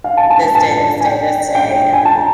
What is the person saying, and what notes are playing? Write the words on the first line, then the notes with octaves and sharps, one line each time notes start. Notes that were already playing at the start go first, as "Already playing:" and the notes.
this day, this day, this day," and
F5
A5
A5
A5
A5
G#5
G5
G5
G#5
A5
A#5